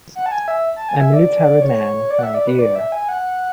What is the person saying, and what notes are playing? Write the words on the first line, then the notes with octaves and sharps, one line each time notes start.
A military man, my dear.
F#5
A5
G#5
E5
A5
G#5
E5
D5
C#5
D5
F#5
E5
D5
B4
D5
E5
G#5
F#5